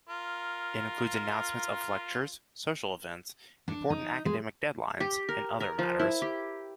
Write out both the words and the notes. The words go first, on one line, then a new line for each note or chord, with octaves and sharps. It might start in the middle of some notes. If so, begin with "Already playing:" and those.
It includes announcements of lectures, social events, important academic deadlines, and other matters.
F4 A#4
D4
D#4
G#3
G4
A#4
A#4
F3
E4
G4